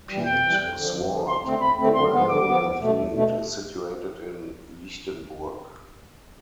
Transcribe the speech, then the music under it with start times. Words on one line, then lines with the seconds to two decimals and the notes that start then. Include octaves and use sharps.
Peet Swart, a well known athlete, is situated in Lichtenburg.
0.09 E3 G3
0.25 F2 G5
0.43 E3 G3
0.60 F2
0.76 D3 F3
0.94 F2
1.10 D3 F3
1.27 E2 C6
1.44 D3 A3 C4
1.61 E2 B5
1.78 D3 A3 C4
1.95 D3 C6
2.12 F3 B3
2.29 D3 D6
2.46 F3 B3
2.62 E2
2.79 B2 A3
2.96 E2
3.13 B2 A3